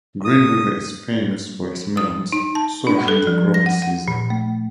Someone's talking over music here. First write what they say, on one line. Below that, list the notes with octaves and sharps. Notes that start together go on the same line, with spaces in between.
Green River is famous for its melons, sold during the growing season.
D#6
D#6
D#4
A5
D4
A4
F3
A#6
F#5
F#5
A#2
A3